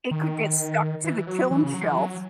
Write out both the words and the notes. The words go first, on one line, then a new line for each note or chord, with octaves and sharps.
it could get stuck to the kiln shelf.
D#3
E3
F#3
E3
C#3
F#3
E3
F#3